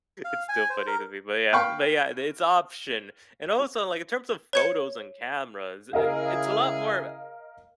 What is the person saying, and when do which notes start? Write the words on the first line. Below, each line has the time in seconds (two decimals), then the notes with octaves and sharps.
It's still funny to me, but yeah but yeah, it's option. And also, like, in terms of photos and cameras, it it's a lot more
0.24 F5
0.49 G#5
0.70 C5
0.87 A#4
1.53 F5 G5 B5 C#6
4.53 C#5 G#6 C#7
5.93 C#3 E4 G#4 A#4 D#5 F5